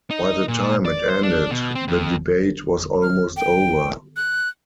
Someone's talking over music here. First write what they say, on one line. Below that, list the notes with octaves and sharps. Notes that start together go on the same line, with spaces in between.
By the time it ended, the debate was almost over.
D#4
A#2
D5
C5
D4
B2
C4
F2
F6
G5
F#6